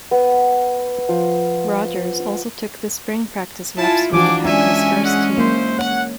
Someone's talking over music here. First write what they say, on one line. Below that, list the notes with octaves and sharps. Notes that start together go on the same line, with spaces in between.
Rodgers also took the spring practice reps with the Packers' first team.
B3
F3
E4 F4 G#5 A5
E3 F3 D4 F4 F#4 G#5 D6
G#3 C#4 D4 E5 G#5
G#4 E5 F#5
A#3 E4 C5
C#5 F#5